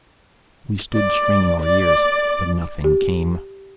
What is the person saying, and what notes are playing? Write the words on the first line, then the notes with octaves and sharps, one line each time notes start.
We stood straining our ears, but nothing came.
D5
D5
G4